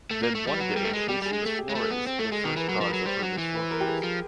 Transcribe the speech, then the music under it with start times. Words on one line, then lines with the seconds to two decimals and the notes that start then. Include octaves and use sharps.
Then one day she sees Florez, the first cause of her misfortunes.
0.11 A3
0.23 A#3
0.35 A3
0.47 G3
0.55 F#3 B4
0.69 A#4
0.76 G3
0.82 A3 A4
0.93 G#3 G#4
1.09 G3 G4
1.22 G3 G#4
1.33 G#3
1.42 A3 A4
1.58 G4
1.69 G#3
1.75 A3
1.83 A4
1.91 B3
2.07 C4
2.19 A3 A4
2.32 G#3 G#4
2.44 D#3 A#4
2.56 E3 B4
2.69 F#3 A#4
2.81 F3
2.89 F#3 B4
3.05 G3 C5
3.22 F#3
3.38 E3
3.55 B4
3.71 A#4
3.80 G4
3.87 G#4
4.04 F3